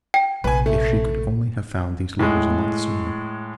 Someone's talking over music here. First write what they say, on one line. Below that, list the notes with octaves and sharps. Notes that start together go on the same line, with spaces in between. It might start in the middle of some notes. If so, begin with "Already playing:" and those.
If she could only have found these letters a month sooner!
G5
A#1 C3 B4 G#5
A3
A2 G#3